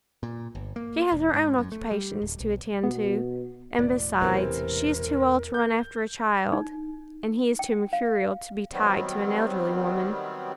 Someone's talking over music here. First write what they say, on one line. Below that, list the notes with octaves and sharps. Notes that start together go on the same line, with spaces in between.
'She has her own occupations to attend to; and besides, she is too old to run after a child, and he is too mercurial to be tied to an elderly woman.'
A#2
G1
A#3
E1
G#2
F#2
A3
G3
D1
B1
B2 B3
E1 A2 D5
E2 C3 E3 C4 A#4
G6
D#4
G5
F5
D#3 F#3 G3 B3 C4